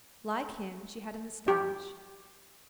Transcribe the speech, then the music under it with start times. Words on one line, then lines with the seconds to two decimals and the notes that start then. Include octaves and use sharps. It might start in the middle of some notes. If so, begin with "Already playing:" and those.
Like him, she had a mustache.
1.48 G4